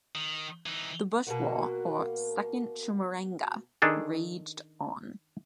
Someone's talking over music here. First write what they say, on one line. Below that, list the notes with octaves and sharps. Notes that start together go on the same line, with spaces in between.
The Bush War or "Second Chimurenga" raged on.
D#3
E3 D#4
B2 A#3 F#4 A#4
D#3 D4 G#4 A4